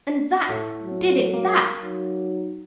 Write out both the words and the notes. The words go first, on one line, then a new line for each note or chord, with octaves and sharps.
And THAT did it--that!
A2 A3
F#3
A#3
F#3 D#4